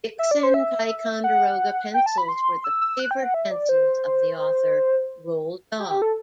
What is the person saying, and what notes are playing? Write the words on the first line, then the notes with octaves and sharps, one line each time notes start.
Dixon Ticonderoga pencils were the favorite pencils of the author Roald Dahl.
E5
D5
C5
E5
F#5
G5
A5
B5
C6
E6
E6
F#6
G5
F#5
E5
D5
C5
G4
G4
A4